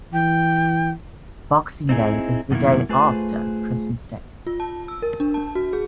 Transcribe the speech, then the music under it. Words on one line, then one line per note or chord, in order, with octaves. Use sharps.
Boxing Day is the day after Christmas Day.
E3 G5
C4 D#4 E4 G#4
F#2 B2 D#3 A#3 E4
A3 F4 G#4 B4 C5
F4
A5
E6
A#4
D4
A5
F#4
G#4